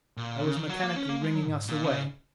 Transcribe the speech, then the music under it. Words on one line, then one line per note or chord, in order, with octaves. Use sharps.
I was mechanically ringing us away.
A#2
C#3
D#3
F#3
A#3
C#4
A#3
G#3
F#3
G#2
A#2
C#3